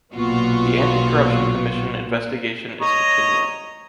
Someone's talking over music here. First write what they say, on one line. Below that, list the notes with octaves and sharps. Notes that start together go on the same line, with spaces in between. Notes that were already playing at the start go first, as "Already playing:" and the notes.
The Anti-Corruption Commission investigation is continuing.
B1 A#2 B3 F4 F#4
C#5 D#5 A#5